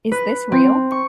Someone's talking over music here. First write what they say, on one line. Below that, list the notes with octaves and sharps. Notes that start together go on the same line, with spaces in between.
Is This Real?
B4
C4
C#6